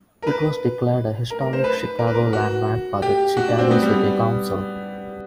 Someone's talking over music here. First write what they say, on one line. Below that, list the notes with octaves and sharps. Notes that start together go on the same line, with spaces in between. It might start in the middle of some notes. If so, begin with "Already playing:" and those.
It was declared a historic Chicago Landmark by the Chicago City Council.
A#4
B4
A#4
A#4
C5
B4
A#4
B4
A#4
F#4
G4
F#4
D4
C4
B3
G3